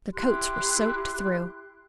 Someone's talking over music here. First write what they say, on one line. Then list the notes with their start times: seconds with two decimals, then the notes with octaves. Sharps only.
Their coats were soaked through.
0.14 E4 G4 C6 F#6